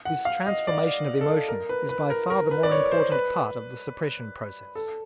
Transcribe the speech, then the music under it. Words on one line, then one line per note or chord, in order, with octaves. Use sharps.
This transformation of emotion is by far the more important part of the suppression process.
F#5
F5
D#5
D5
A4
A#4
B4
B4
A#4
A#4
B4
D5
C#5
C5
B4
A4